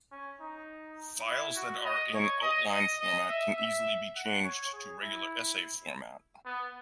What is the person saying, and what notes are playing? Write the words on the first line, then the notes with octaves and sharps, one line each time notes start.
Files that are in outline format can easily be changed to regular essay format.
C#4
D#4
E4
F#4
D#5
C#5
D#5
D#5
D#5
E5
E5
F#5
C#5
G#4
E4
B3